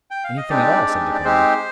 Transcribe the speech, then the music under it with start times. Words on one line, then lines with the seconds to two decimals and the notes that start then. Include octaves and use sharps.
"Anything at all," said the queen.
0.11 G5
0.24 F5
0.37 D#5
0.49 G#3 C4 D4 D#4 G4 D5
0.87 G#3 C4 D#4 G4
1.15 D5
1.24 G#3 C4 D#4 G4 C5